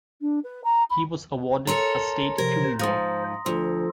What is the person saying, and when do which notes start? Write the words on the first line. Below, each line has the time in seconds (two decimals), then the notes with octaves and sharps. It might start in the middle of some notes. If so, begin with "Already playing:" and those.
He was awarded a state funeral.
0.21 D4
0.43 B4
0.64 A#5
0.90 B5
1.67 A4 A#4 C#5 A#5 C6
2.38 C3 F3 A#4 C#5
2.79 G#2 F3 C5 C6 D#6 A#6
3.46 D2 F3 F4 A4